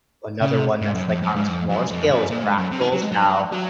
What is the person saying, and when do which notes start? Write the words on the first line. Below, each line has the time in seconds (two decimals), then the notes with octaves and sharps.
another one that's, like, on a smaller scale is fractals, how,
0.41 C#3
0.54 C3
0.81 G#2
0.95 F#2
1.08 F2
1.23 F#2
1.36 G#2
1.48 F2
1.69 F#2
1.90 F2
2.11 F#2
2.31 A#2
2.43 G#2
2.58 F#2
2.71 C3
2.81 D#3
2.92 F#3
3.02 G#3
3.12 F#3
3.52 F#3